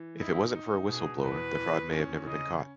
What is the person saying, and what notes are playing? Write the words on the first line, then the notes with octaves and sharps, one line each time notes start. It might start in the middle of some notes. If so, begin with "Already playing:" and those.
If it wasn't for a whistle blower, the fraud may have never been caught.
Already playing: E3
D#4 E4
D#4
B2 G#4
E2 B4
E2
C#4
C#3 D#5